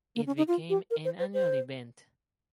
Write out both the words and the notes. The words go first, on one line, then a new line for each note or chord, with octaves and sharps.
It became an annual event.
A#3
C#4
D#4
F4
G4
A#4
C5
C5
C5